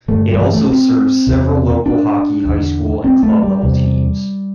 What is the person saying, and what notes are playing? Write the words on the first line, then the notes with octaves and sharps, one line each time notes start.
It also serves several local hockey high school and club level teams.
G2 D3 A3
G3
E3
A3
C4
E2 C3
D4
E2 D3
C4
A3
G3
E2 C3